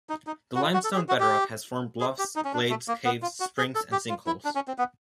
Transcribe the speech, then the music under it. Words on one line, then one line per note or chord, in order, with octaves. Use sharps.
The limestone bedrock has formed bluffs, glades, caves, springs, and sinkholes.
D#4
D#4
F#4
F4
F#4
A4
G4
G#4
F#4
G4
G#4
G4
D#4
C#4
D4
A3
A#3
B3
F4
F#4
G#4
A4
G4
F4
E4
D4
C#4
C4
B3